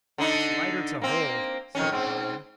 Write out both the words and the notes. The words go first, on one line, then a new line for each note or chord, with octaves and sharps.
"It's lighter to hold," said the Gardener.
D3 D4 D#4
A#3 C4
F2 D#3 C#4
G#2 C4